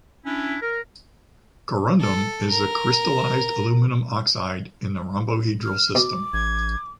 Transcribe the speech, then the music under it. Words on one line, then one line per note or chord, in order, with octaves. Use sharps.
Corundum is the crystallized aluminum oxide in the rhombohedral system.
C#4 D4 E4
A#4
A4
A#4
F6
B2 D6
A1 G#6